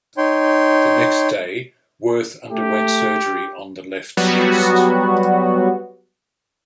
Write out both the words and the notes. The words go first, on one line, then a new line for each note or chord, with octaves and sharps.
The next day, Werth underwent surgery on the left wrist.
D#4 C#5 G5 C6
A3 G4
F#3 G3 B3 F#4